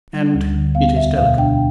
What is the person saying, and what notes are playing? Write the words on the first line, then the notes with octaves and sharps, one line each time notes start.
"And it is delicate."
G3
D2
D3
B3 F5
E2 E5
B2 F5
D4 G5